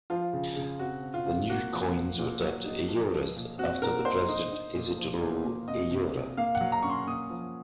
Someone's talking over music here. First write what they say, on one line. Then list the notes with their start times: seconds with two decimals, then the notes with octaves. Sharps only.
The new coins were dubbed "Ayoras" after the president, Isidro Ayora.
0.10 F3 F4
0.33 C#3
0.56 C#3
0.79 C4 F#4
1.02 C4
1.14 F4
1.26 C3
1.49 A#3 F#4
1.72 F3
1.96 F3
2.19 A#2
2.43 F#3
2.65 D#4
2.89 F3
3.12 F3
3.35 A#2
3.58 C4 F#4
3.82 A#2 A#4
4.05 D#4 C5
4.28 D#4
4.52 D#4
4.75 A#2
4.98 F3
5.21 A#3
5.44 A#3
5.68 C3 D#5
5.91 C3
6.14 C3
6.37 A#3 F5
6.55 F#5
6.60 F#3
6.72 A#5
6.83 C#4 C#6
6.90 C6
7.07 A#3 D#6
7.30 F3